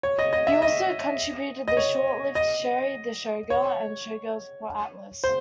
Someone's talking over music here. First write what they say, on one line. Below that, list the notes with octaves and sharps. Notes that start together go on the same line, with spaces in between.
He also contributed the short-lived "Sherry the Showgirl" and "Showgirls" for Atlas.
C#5
D#5
D#5
E5
D#5
D#5
C#5
D#5
C#5
C5